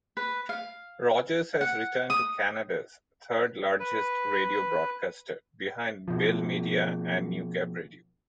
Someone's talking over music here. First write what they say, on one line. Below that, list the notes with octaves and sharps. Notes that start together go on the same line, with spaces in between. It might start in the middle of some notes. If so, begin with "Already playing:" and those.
Rogers has returned to Canada's third-largest radio broadcaster behind Bell Media and Newcap Radio.
B4
F5
F#5
D#6
B4
B2 F3